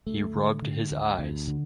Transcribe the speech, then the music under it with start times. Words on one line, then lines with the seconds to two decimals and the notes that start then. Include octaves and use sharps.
He rubbed his eyes.
0.07 D2 A3
0.35 D3
0.62 D3
0.91 D2
1.19 D2
1.48 D3